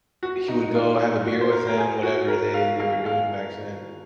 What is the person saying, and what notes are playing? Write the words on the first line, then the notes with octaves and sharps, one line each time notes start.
he would go have a beer with them, whatever they they were doing back then,
F#4
D#4
F4
F#4
C5
A#4
A#4
G#4
F#4
A#4
F5
F5
F5